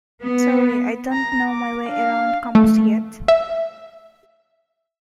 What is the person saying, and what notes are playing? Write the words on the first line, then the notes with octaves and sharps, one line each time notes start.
Sorry, I don't know my way around campus yet.
B3
A#5
D6
D4 F5
A3
E5